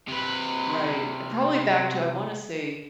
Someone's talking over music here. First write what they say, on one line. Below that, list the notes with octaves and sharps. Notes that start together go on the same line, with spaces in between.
Right, probably back to I wanna say,
C3 B4